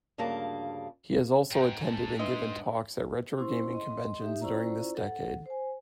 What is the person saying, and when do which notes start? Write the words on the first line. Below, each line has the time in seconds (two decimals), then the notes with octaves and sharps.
He has also attended and given talks at retrogaming conventions during this decade.
0.18 D2 G2 C#3 A#3 A5
1.51 G#2 G5
1.83 G#5 A5
2.19 D4 B4 D#5 C6
3.37 C#4 E4 C5 C6
3.75 D#5 C6
4.20 D#4 G4 E5
4.41 C#4 E4 F4 C5 D5 A#5
4.95 A4 F#5
5.46 C5 G#5